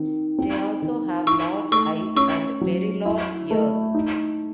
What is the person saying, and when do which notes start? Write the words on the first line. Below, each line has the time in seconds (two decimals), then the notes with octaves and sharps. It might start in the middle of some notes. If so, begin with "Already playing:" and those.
They also have large eyes and very large ears.
Already playing: D#3 C4
0.39 C4
0.82 D#3
1.27 E4 C#6 E6
1.72 A3 C#6 E6
2.16 C#4 C#6 E6
2.61 F#3
3.05 E4
3.51 A3
3.94 D#4